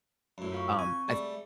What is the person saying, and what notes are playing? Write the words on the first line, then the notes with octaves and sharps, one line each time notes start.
Um, I th
F#2 A2
F4 F5 C#6
C4 G#5 C#6
G3 A3 G#4